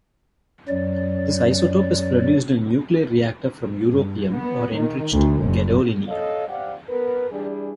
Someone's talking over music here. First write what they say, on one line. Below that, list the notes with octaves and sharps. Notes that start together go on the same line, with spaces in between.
This isotope is produced in a nuclear reactor from europium or enriched gadolinium.
F#2 F#3 D5
G2
B3
D#3
D2
F#1
A4 C#5 D#5 F5
G4 C5 D5 F5 F#5
B3 A#4 B4
E3 G3 D4 G#4